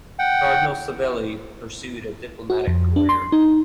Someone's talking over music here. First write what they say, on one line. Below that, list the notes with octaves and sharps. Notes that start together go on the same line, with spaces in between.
Cardinal Savelli pursued a diplomatic career.
F#5 G5
F#4
F2
D4
C6
D#4